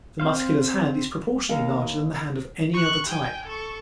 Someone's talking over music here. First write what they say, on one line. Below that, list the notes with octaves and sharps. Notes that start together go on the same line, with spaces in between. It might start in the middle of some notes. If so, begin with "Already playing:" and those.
The Muscular's hand is proportionately larger than the hand of any other type.
C4 C5 F5
D#2 A#4 F5
C#6 F#6
G5 G#5
A4 C#6